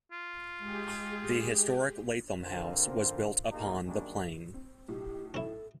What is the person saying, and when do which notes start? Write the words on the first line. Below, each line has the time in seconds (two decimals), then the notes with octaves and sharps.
The historic Lathom House was built upon the plain.
0.12 F4
0.58 G#3 G4 G#4
2.41 D3 C4 F4 A#4 C5
3.51 A#3 D#4 F4 G4 G#4 A#4
3.86 F#2 D#3 G3 A#3 D4 G#4
4.54 C4
4.88 B1 A2 G4
5.34 C#4 E4 A4